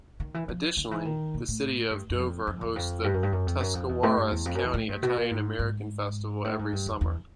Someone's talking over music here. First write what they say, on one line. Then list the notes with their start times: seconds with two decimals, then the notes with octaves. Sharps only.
Additionally, the city of Dover hosts the Tuscawaras County Italian-American Festival every summer.
0.20 D#3
0.34 E3
0.49 F3
0.77 D#3
0.91 E3
1.05 D#3
1.34 A#2
1.48 A2
1.91 G2
2.10 F#2
2.19 F2
2.47 F2
2.61 E2
2.76 F2
3.04 G2
3.14 F#2
3.23 G2
3.32 F#2
3.47 F2
3.60 F#2
3.75 F2
3.89 E2
4.03 A2
4.17 G2
4.32 E2
4.45 F2
4.55 F#2
4.64 E2
4.74 A2
4.89 G2
5.03 B2
5.17 A#2
5.31 G#2
5.59 G#2
6.44 A2
6.59 G#2
6.73 G2
6.86 F2
7.01 E2